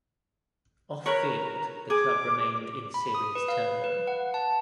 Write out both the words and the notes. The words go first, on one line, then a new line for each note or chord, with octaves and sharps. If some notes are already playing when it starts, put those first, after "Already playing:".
Off field, the club remained in serious turmoil.
A#4 B4 C#5 A#5
G#4 D6
B5
D#6
B4
F5
B4
F#5
A5